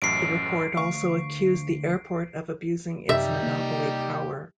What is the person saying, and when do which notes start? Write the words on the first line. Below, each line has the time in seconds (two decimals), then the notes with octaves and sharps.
The report also accused the airport of abusing its monopoly power.
0.02 A1 F#2 C7 D7
0.77 D2 F5 C#6
3.09 F#2 C3 G3 D#4 G4 E5
3.43 C3 A#3